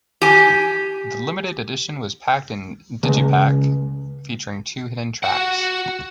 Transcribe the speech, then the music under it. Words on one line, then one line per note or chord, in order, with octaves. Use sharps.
The limited edition was packed in digipak, featuring two hidden tracks.
G4 G#5
C#2
F#4 F#5